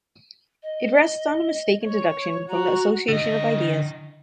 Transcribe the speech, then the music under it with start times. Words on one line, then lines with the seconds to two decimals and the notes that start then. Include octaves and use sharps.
It rests on a mistaken deduction from the association of ideas.
0.62 D#5
1.84 C#5
2.49 F#4 A#5
3.08 D3 D#5